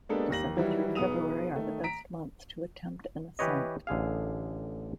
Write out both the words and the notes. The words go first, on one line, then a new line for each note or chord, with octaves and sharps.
December through February are the best months to attempt an ascent.
G#3 A#3 B3 D4 G4 A4
D#2 G4 A#6 F#7
D#3 E3 F#3 G3 E4 F#4
B1 B3 G#4 D#6 D#7 F7
D#3 A3
A#5 B6 D7
E3 G4 B4 C#5 D#5
A1 D3 G#4 F5